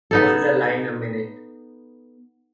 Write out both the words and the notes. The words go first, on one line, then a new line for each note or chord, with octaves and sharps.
Hold the line a minute.
B3 D#4 A4